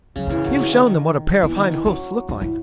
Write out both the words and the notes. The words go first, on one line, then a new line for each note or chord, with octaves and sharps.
"You've shown them what a pair of hind hoofs look like."
C#3 F#3
E3 B3
C#4
F#3 D#4
E3
C#3
D#3
D#3
E3 B3
D#3
E3
F#3 C#4
D#4
E4